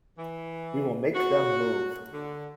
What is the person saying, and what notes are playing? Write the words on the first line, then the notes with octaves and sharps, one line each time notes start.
We will make them move.
E3
F#4
D3